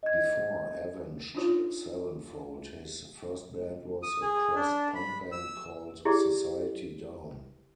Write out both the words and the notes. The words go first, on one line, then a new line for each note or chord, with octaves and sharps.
Before Avenged Sevenfold, his first band was a crust punk band called Society Down.
D#5 G#6
D4 D#4 F4 C#5
D#6
G#4
D4
B5
E6
E4 G4 G#4 D5